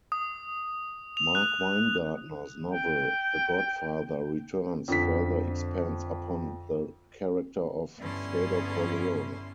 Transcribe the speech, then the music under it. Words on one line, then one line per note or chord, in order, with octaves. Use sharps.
Mark Winegardner's novel "The Godfather Returns" further expands upon the character of Fredo Corleone.
D#6
F7
F#6
G5
F2 D3 B6
G2 D3 B3 C#4 E4 C6